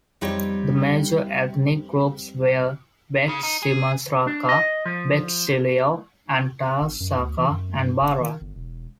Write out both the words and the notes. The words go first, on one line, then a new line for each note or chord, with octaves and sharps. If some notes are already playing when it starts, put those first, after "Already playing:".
The major ethnic groups were Betsimisaraka, Betsileo, Antaisaka and Bara.
F2 G3 C4 D#4 G4 C#5
C#3
D#4
G#4
D4
D#5
F3
G#1
F#2
D2
E3
F#2
G2
G1
D#3
G1
E1